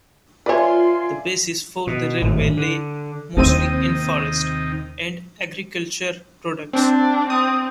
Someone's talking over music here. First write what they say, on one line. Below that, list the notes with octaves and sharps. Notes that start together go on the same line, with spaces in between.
The basis for the railway lay mostly in forest and agriculture products.
F4 B4 C#5 D5 E5 G#5 C6
B2
G#1 F#2 A2
D3
D#2 C3 D#3 C4 D#4 E4 D#7
C4 D4
C4 D#6